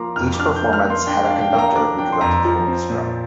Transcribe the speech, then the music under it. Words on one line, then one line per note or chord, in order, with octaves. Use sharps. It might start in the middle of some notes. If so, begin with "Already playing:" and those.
Each performance had a conductor who directed the orchestra.
Already playing: F3 A#3 A#5 C6 D6
F2 F6
D6
D4 F6
G6
A#3
F6
A#3
C6
D4 G5
F5
D4
G5
A#3 A#5
D4 D6
D4 G5
C6
F2 A#5
F3 A#5
C4
A#2